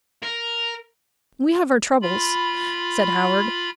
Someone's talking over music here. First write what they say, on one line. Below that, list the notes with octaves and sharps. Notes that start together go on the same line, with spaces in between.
"We have our troubles," said Howard.
A#4
F4 B5